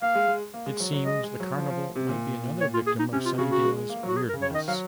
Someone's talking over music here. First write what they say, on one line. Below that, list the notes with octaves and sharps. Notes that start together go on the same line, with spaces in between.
It seems the carnival might be another victim of Sunnydale's weirdness.
A#3 F5
G#3
G#3
A#3
G#3
F#3
F#3
G#3 D#5
G#3
F#3
F3
F3
C3
A#2
C#5
F4
G#4
D#4
C3 C#4
F4
C#3 F#4
F#4
G#3
G#3
A#3
F#3 F#4
G#4
A#4
C#3
C#5
D#3 D#5
F#3 F5